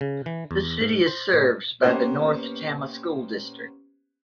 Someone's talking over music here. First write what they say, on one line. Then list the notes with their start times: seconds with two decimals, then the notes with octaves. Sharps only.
The city is served by the North Tama School District.
0.01 C#3
0.26 E3
0.51 E2
0.81 G#2
1.07 C5
1.33 A2
1.83 A#3 B3 C#4 G4 B4 C5